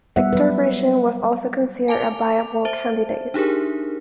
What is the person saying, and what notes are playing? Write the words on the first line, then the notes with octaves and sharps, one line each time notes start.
Viktor Grishin was also considered a viable candidate.
G3 B3 E5 F#5
F#3 B4
G#5 A5 D6 F7
C5 E5 A5
D4 D#4 G4 G#4 A#4